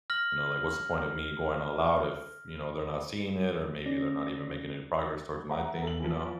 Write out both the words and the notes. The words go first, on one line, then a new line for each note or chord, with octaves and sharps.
you know, like, what's the point of me going all out if, you know, they're not seeing it or maybe they're not even making any progress towards my thing, you know?
F6 A#6 F#7
C#4 D5 A#6
E5 F#5 A#5
A4 F#7
E3 F3